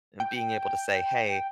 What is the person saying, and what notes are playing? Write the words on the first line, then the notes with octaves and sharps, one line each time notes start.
being able to say, "Hey,
G5